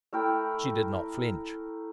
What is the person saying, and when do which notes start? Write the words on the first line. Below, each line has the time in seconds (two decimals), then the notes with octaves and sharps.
She did not flinch.
0.13 A3 E4 A#4 G5